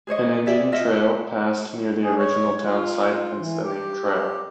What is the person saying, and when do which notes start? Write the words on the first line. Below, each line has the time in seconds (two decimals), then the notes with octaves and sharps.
An Indian trail passed near the original town site, hence the name Trail.
0.07 G#4 C5 C#5 D#5
0.47 G4 G#4 D5 E5
0.72 F4 D#5 E5
2.03 G#4
2.17 C#5
2.65 F4
3.38 E3
3.64 G4